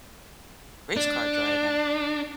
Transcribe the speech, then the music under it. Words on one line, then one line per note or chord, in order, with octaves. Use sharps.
race car driving
D4